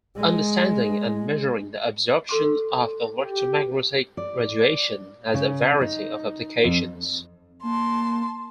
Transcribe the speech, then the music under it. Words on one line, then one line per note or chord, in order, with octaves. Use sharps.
Understanding and measuring the absorption of electromagnetic radiation has a variety of applications.
G#3
A4 C6 D6
G4
D5
C#3
D#4
F2
A#3 A5 C6